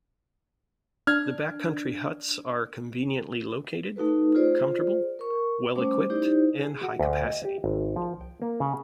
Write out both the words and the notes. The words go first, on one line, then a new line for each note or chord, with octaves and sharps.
The backcountry huts are conveniently located, comfortable, well-equipped, and high capacity.
D4 F6 G#6
A3 D#4 F#4 A4 B4
F4 G#4 C5 D5
A#4 C#6
G3 A3 C#4 C5 D6
D#4 E4 G4 C5 D5
G#4
F#4
D2
D#5
G4
G#1
F3
G5
A#3
C#3